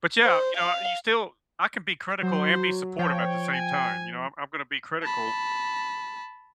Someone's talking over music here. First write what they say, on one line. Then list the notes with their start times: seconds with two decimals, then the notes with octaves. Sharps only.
But, yeah, you know, you still I can be critical and be supportive at the same time, you know? I'm I'm gonna be critical,
0.23 C5
0.57 F5
2.23 F#3 C5
2.99 F3 C#5 G5
3.53 G#5
5.03 A5 B5